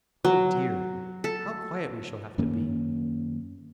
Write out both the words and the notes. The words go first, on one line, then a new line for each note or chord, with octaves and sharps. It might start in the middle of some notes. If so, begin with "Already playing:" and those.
Oh dear, how quiet we shall have to be!
F#3
A4
F#2 D#3 A#3 C#4